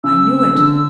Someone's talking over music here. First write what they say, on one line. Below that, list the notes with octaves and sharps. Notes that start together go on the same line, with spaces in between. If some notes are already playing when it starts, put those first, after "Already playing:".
I knew it.
C#3 E6
D3